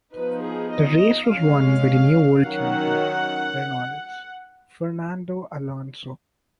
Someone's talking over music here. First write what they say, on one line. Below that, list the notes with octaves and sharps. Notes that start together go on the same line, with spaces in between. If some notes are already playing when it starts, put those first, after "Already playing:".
The race was won by the new World Champion, Renault's Fernando Alonso.
F3 B3 D#4 B4
G#4
D#5
G#3 C#4 F5
D#3 F#3 C#4 F#5